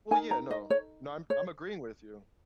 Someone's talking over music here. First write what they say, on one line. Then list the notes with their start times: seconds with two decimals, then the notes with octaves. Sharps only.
Well, yeah, no. No, I'm I'm agreeing with you.
0.11 D#4 A#4 G#5
0.31 A#5
0.51 D#5
0.70 C#5
1.30 C#5